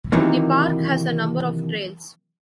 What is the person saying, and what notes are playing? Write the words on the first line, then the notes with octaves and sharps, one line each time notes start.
The park has a number of trails.
C3 D#3 E3 F#3 A#3